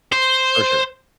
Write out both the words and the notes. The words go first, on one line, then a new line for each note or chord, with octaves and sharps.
For sure.
C5